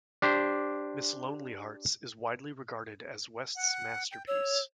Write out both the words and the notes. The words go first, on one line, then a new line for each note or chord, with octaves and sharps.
"Miss Lonelyhearts" is widely regarded as West's masterpiece.
D4 G4 C5
F#5
G5
C#5 E6